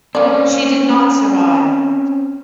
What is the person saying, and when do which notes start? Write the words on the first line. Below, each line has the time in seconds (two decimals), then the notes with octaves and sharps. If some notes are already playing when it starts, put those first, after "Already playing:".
She did not survive.
0.15 A#3 C4 C#4 D5